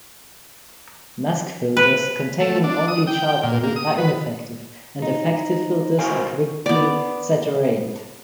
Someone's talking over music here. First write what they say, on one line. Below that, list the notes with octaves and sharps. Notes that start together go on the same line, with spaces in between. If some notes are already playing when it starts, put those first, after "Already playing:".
Mask filters containing only charcoal are ineffective, and effective filters are quickly saturated.
B4
A3
D4
D#6
G5
A#2
A#3
D#6
B4
D#4
F#4 A#4 C5 C#5 F5 G#5
B3 D5